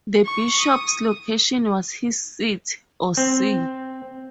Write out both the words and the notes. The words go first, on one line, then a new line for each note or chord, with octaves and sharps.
The bishop's location was his "seat", or "see".
C#6
D#6
C4